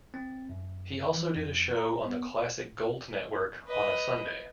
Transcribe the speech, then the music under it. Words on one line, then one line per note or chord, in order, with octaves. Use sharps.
He also did a show on the Classic Gold Network on a Sunday.
C4
F#2
E3
F2
A#5
B3
B4 D#5